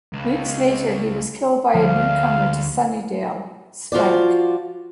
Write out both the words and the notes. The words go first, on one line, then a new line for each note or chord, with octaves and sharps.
Weeks later, he was killed by a newcomer to Sunnydale, Spike.
C#2
D2 F3 F5
F3 F4 F#4 D5